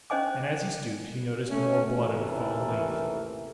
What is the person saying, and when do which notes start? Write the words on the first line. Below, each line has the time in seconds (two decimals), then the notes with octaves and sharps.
And, as he stooped, he noticed more blood on a fallen leaf.
0.10 C#4 D4 C5 D#5 G#5 D6
1.50 A3 C#4
1.98 A1 D#2 C3 E3 A3 A#4